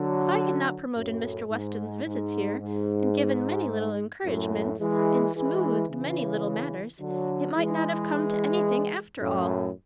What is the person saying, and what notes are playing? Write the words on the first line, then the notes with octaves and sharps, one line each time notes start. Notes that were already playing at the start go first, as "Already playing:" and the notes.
If I had not promoted Mr. Weston's visits here, and given many little encouragements, and smoothed many little matters, it might not have come to any thing after all.
Already playing: D3 F#3
F#2 A2
G#2
G#2
G#2
F#2 A2
E3 G#3
E3 G#3
C#3 E3
D3 F#3
E3 G#3
F#2 A2